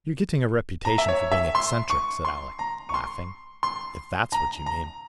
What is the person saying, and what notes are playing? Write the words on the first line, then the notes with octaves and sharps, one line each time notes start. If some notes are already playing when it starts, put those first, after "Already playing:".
"You're getting a reputation for being eccentric," said Alec, laughing, "if that's what you mean."
A#5
E5
C#5
E5
C6
C#6
C6
A#5
C#6
C6
C6
A#5
A#5